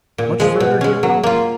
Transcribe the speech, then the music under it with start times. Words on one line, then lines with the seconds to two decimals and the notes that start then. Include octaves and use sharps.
"Much further, Hugo?"
0.18 A#2
0.40 F3 G#3
0.60 B2
0.81 G#3 C#4
1.03 F#3
1.23 A#3 F4